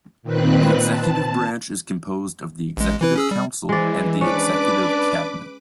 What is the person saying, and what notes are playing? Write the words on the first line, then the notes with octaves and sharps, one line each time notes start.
The executive branch is composed of the Executive Council and the Executive Cabinet.
A#2 D#3 C4 B4 F#6
A5
A1 G#3
E3 E4 B4
C#4 G#4 E6
G3
E3 G#3 D5
C#4 D4 B4 D6